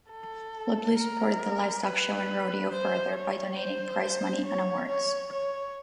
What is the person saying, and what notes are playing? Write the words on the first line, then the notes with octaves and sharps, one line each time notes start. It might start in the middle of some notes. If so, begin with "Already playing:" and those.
LeBleu supported the livestock show and rodeo further by donating prize money and awards.
A4
A#4
B4
C5
C#5
C5
C#5
C#5
C#5